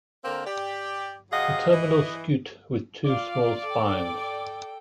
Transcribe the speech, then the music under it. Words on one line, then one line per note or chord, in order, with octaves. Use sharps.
The terminal scute with two small spines.
D3 A#3 C4 A#4
G4 D5
C3 F#3 G#4 D#5 F5 F#5
E3 D#5
F4 D5 F5
A4 G5